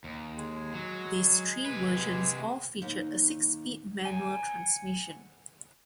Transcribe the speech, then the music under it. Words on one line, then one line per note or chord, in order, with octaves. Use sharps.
These three versions all featured a six-speed manual transmission.
D#2
G#3
F#3
C3 B4
D#2
F#5 G#5